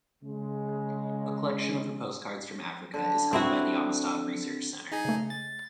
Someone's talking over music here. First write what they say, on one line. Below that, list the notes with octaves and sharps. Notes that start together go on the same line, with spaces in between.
A collection of her postcards from Africa is held by the Amistad Research Center.
C#3 G#3
D3
C4 E4 F#4
D#4 G#4 G#5
C#3 A3
A6